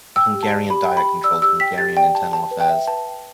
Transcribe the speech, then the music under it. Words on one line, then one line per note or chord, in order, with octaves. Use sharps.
The Hungarian Diet controlled Hungarian internal affairs.
G5 E6
G4
A5
D5
G4 B5
G5
B5
G4
D5 E6
G4 E6
G5 B6
G4 A6
D5 G5
G4 A5
G5 A5
B4
G5
E5
B4 A5
G5